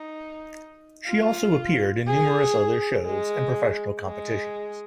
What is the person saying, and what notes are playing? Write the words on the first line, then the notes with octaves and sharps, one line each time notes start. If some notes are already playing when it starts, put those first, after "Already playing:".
She also appeared in numerous other shows and professional competitions.
Already playing: D#4
F4
G#4
G#3
G#3